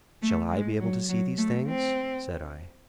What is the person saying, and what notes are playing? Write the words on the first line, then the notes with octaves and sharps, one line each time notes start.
"Shall I be able to see these things?" said I.
A3
G#3
F#3
F#3
A3
C4